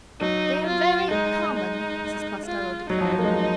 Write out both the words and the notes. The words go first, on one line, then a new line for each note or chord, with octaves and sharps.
"They are very common," Mrs. Costello declared.
F#3 D#4
F4
G#3 D#4
D#4
F4
F#3 D#4
F3
F#3
A#3
G#3
G#3